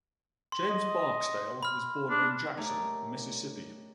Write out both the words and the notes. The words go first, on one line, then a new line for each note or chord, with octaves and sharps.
James Barksdale was born in Jackson, Mississippi.
C6
D#5
B5 F6
D4
A3 D#4 G4 A#4 C#5 D5